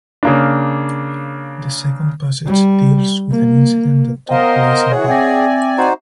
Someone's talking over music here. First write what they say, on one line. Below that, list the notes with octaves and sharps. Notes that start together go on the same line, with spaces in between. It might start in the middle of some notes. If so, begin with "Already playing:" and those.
The second passage deals with an incident that took place in Bodmin.
C#3 A#3 D4
G3
A#3
B3 A#4 C5 D#5 F5 G5
E3 F#4 G#4 C#5 F#5
C4 D5 E5 G5 G#5 A#6
D#4 F#4 C5